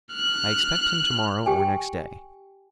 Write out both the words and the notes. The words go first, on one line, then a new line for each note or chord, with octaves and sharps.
I expect him to-morrow or next day.
F6 F#6
G4 G5 G#5